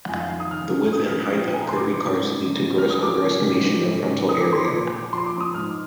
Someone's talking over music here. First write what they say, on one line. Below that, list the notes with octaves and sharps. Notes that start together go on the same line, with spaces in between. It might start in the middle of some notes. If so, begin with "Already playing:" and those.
The width and height of curvy cars lead to gross overestimation of frontal area.
F2 G#5
F5
D#3 F5
D#6
D#3 F6
D#3
A#2 D#6
F6
F3
D#6
A#2
G5
F3 G#5
A#5
C6
G#2 D6
G#2
G#2
G#2
F3
F3 F6
D#6
F3 D6
A#2
G#2
F3
G#2
G#2
F3 D#6
D6
F3 C6
D6
A#2
F3
F3 C6
D6
F3
D#6
G#2 F6